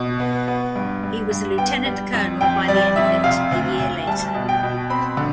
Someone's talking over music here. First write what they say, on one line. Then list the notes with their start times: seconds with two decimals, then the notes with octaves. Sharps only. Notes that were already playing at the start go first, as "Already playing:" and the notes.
He was a lieutenant colonel by the end of it, a year later.
Already playing: B2
0.20 B3
0.48 B3
0.75 G2
1.03 G2
1.31 G2
1.58 B3 G5
1.85 G3
2.13 F2
2.41 F2 G5
2.68 G3 D5
2.96 F2 E5
3.24 C3 F5
3.51 D2
3.80 D2
4.07 G3 A5
4.34 B2
4.49 G5
4.63 B2
4.90 C4 B5
5.17 D3